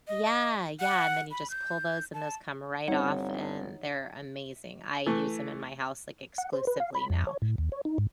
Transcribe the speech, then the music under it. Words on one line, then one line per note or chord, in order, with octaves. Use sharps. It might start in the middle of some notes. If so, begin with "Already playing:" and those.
Yeah, yeah, and then you just pull those and those come right off, and they're amazing; I use 'em in my house, like, exclusively now.
D#5
F#5
B5
G6
A5
G1 G3 C4 D#4 C#5 F#5
E3 A3
F#5
C5
B4
F5
B5
F2
C#5
A2
D#2
C#5
D#4
G#2